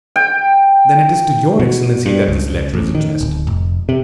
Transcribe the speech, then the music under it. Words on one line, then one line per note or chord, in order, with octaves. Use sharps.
"Then it is to your excellency that this letter is addressed."
G5
B2
G2
C#2
A1
D#3
D1
F1
C3